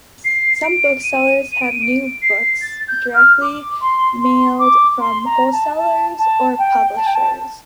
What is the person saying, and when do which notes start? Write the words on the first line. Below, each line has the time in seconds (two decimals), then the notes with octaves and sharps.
Some booksellers have new books directly mailed from wholesalers or publishers.
0.25 C7
0.64 D7
1.04 D#7
1.52 D#7
1.61 D7
1.70 D#7
1.82 D7
2.22 C7
2.62 A6
2.88 G6
3.14 F6
3.41 D6
3.81 C6
4.21 C6
4.59 D6
5.00 C6
5.25 A#5
5.52 A5
5.78 A5
6.19 A5
6.58 G5
6.97 A5
7.07 G5
7.15 A5